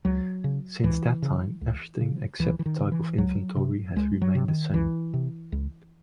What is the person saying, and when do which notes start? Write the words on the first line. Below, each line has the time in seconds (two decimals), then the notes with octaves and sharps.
Since that time, everything except the type of inventory has remained the same.
0.05 C#2 F#3
0.44 C#3
0.83 C#2 E3
1.22 C#3
1.61 C#2
2.01 C#3
2.39 C#2 E3
2.59 E3
2.66 D#3
2.79 C#3
2.92 E3
3.18 C#2 F#3
3.56 C3
3.96 C#2 G#3
4.22 F#3
4.35 C3
4.48 D#3
4.74 C#2 E3
5.14 C3
5.52 C#2